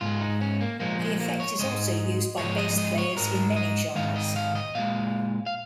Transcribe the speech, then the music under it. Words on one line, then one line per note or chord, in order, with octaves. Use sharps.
The effect is also used by bass players in many genres.
G#2 G#3 F4
D#4
C#4
A#3
A#2 F3 G#3 A#3
G#3
A#3
C#5
G#2 D#3 G#3 D#5
G#2 F3 G#3 C#5
D#5
D#5
C#5
G#2 G#3 A#4
D#5
G#2 D#3 G#3 F5
D#5
F5
D#5
A#2 G#3 F5
F5